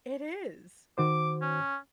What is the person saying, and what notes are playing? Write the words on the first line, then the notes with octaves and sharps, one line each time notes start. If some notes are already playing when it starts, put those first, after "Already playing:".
It is.
D#3 F#4 C5 D6
C#4